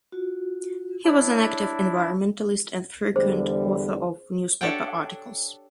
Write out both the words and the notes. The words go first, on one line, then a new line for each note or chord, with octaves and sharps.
He was an active environmentalist and frequent author of newspaper articles.
F4 F#4
D4 E4 C#5
E2 D3 G3 G#4 C5
D4 G4 A4 C#5 F#5 G5